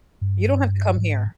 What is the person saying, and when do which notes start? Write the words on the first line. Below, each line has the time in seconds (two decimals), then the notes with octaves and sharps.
You don't have to come here."
0.21 G2
0.98 G#2